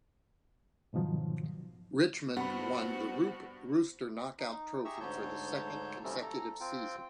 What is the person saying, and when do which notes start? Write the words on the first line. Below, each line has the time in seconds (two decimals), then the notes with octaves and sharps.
Richmond won the Roope Rooster knockout trophy for the second consecutive season.
0.93 G#2 B2 D#3 F3 F#3
2.36 G2 B3 C4 F#4 F#5 B5
4.39 D#4
4.85 G4 G#4 E5 A#5 C#6 E6
5.00 D2 G#2 D3 C#5 A5 G6
6.04 C3 F3 G3 A3 C4 C#4
6.22 A4 A#5
6.60 C4 F4 G5